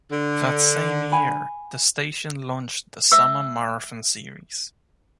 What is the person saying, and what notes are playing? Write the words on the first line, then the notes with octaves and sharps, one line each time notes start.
That same year, the station launched the Summer Marathon Series.
D3
F#5 G#5 B5
E5 E6